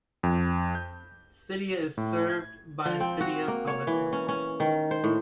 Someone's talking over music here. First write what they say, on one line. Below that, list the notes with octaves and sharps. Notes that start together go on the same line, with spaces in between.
Sitia is served by the Sitia Public Airport.
F2
G6
A2
G#6
F3
C4
F#4
A#3
C#5
E3
C#4
C#4
D#3
C5
A2